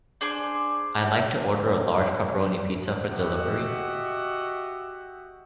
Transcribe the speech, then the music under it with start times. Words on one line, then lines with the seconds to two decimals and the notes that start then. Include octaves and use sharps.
I'd like to order a large pepperoni pizza for delivery.
0.21 D4 G#4 C5 D5
3.09 F#4 G4 D#5 E5 F#5